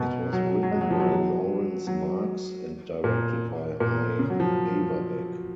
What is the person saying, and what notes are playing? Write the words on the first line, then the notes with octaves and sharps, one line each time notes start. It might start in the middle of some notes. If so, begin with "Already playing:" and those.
It was written by Laurence Marks and directed by Hy Averback.
Already playing: B2
F#3
F#3
G#3
F#3
F3
F#3
F#3
A#2
A#2
C#3
F#3
F3